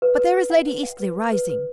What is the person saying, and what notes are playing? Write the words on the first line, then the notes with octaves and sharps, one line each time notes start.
But there is Lady Eastleigh rising.
B4
B4
B4
F#5
B4
F#5
B4
B4
B4
B4